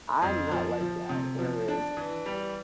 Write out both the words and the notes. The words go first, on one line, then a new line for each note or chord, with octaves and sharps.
I'm not like that. Whereas,
F2
F3
F3
C3
F3
D4
E3
G3